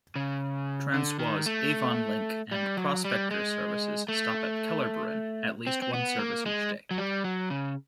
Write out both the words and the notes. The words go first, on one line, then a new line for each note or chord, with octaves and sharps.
Transwa's "Avonlink" and "Prospector" services stop at Kellerberrin, at least one service each day.
C#3
D3
D#3
A3
G3
F#3
G3
G#3
A3
C4
C4
B3
A#3
G#3
F#3
G3
F#3
C#3